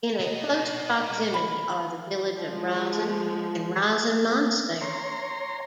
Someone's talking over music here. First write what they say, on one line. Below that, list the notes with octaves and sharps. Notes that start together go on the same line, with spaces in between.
In a close proximity are the village of Rozhen and Rozhen Monastery.
B3 D#5
B5
F3 G#3
C#5 A#5 C6